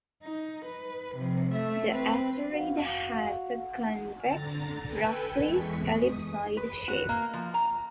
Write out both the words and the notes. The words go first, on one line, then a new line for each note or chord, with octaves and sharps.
The asteroid has a convex, roughly ellipsoid shape.
D#4
B4
C3 F3
A3 E5
C4 B4
F#4 F5
D3 A#5 A6
A4 B4 G5 G#5
E2 E3 G#3 C#6 B6
D#6
B4
F#4
A#3
F3
A#5